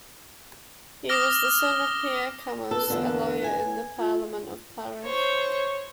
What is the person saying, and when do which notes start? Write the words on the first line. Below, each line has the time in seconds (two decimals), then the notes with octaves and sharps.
He was the son of Pierre Camus, a lawyer in the Parlement of Paris.
1.09 D6 D#6 F6 A#6 G7
1.45 F6
2.71 A4 B4
2.90 E2 G#2 D3
3.44 G#5
3.98 F4
5.05 C5 C#5